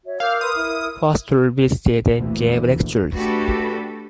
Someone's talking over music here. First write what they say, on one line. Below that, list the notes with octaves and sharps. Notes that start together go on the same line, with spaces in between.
Foster visited and gave lectures.
F#4 C#5 E5
A#4 F5 D6 E6 G6
B4 C6 D#6
E4
F1 D2 A#2 E3
A3 D4 F#4 G4 A4 B4